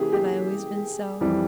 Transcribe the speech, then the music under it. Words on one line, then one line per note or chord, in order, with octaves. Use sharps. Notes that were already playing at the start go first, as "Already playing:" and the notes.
Have I always been so?
Already playing: E3 A#3 C#4 G4 G#4
G4
F2 E3 G3